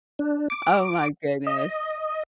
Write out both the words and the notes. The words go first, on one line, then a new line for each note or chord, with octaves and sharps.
Oh my goodness.
D4
D6
D#5